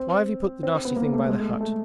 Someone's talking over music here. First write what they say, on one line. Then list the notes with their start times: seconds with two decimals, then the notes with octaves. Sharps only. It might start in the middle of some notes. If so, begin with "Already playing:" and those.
Why have you put the nasty thing by the hut?'
Already playing: C4
0.63 C4
0.74 C4
0.85 B3
0.96 A#3
1.13 A3
1.29 G#3
1.40 A3
1.50 G#3
1.61 A3